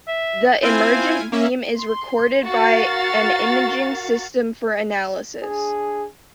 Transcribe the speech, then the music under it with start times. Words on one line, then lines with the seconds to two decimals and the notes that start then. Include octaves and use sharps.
The emergent beam is recorded by an imaging system for analysis.
0.08 E5
0.63 C4 E4 F4 G#5
1.32 A#3 C#4 E5
1.78 C6
2.44 F#4 A#4 F5 A6
5.41 D4 G#4